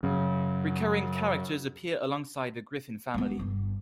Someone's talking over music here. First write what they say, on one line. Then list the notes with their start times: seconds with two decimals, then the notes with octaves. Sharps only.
Recurring characters appear alongside the Griffin family.
0.03 F#2 C#3
3.14 G#3 B3
3.39 G1